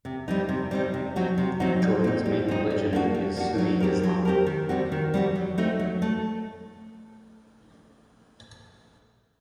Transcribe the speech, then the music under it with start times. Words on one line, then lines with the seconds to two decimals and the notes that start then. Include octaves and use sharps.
Jordan’s main religion is Sunni Islam.
0.05 C3
0.28 G3 C4 D#4
0.49 C3
0.71 G3 C4 D#4
0.94 C3
1.16 F#3 C4 D#4 F#4
1.38 C3
1.60 F#3 C4 D#4 F#4
1.82 G3
2.04 C4 D#4
2.26 G3
2.48 C4 D#4
2.71 G3
2.93 A#3 D4 F#4
3.14 G3
3.36 A#3 D4 F#4
3.58 F#3
3.80 C4 G4 A#4
4.03 F#3
4.25 C4 G4 A#4
4.47 D#3
4.69 G3 C4 F#4
4.92 D#3
5.14 G3 C4 F#4
5.35 F#3
5.58 A3 C4 D#4
5.79 F#3
6.02 A3